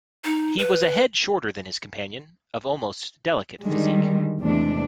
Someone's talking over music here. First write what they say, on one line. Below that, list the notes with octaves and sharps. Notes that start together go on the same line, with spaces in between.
He was a head shorter than his companion, of almost delicate physique.
D#4
B4
D3 D#3 G3 G#3
E2 C3 G#3 A3 D4